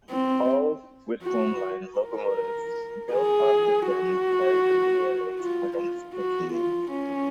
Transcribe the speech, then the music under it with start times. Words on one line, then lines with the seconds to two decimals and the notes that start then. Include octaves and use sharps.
All Whitcomb line locomotives built after then carried the B-L-H identification name.
0.10 C4
1.23 F#4
1.99 A#4
3.13 G#4
3.88 F#4
5.39 F4
5.77 F4
6.15 F#4
6.53 F4
6.91 C#4